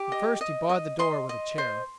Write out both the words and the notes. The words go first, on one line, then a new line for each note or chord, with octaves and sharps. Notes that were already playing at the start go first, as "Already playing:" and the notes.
But first he barred the door with a chair.
Already playing: G4 D6
D#5
D#5
D#5
D#5 C6
D#5
C5